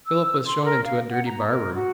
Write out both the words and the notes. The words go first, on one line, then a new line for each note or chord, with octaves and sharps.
Philip was shown into a dirty bar-room.
E6
C6
A#4
F5
F#5
A#5
A#4
F#4